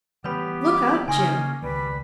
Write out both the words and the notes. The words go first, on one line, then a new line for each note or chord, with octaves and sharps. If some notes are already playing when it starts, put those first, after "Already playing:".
'Look out, Jim!
E3 G3 A3 B3 G4 B4 C#5 B5
D6
C#3 A#3 C#4 D#4 G#5 C6 C#6
C#2 D#3 G3 B4